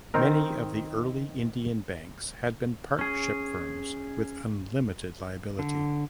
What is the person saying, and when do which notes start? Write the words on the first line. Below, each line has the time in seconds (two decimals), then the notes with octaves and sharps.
Many of the early Indian Banks had been partnership firms with unlimited liability.
0.14 D#3 C4 D#4 A#4
2.99 C#4 G#4
5.59 D3